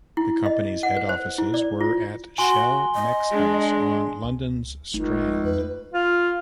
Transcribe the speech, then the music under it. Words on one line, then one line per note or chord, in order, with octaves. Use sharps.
The company's head offices were at Shell Mex House on London's Strand.
E4
D#5
F#5
B4
C5
E4
D5
F4
F#4 G#5 C6 G7
D#5
G#3 D4
C#2
G1 C#2 A3 D#4
F2 B4
F4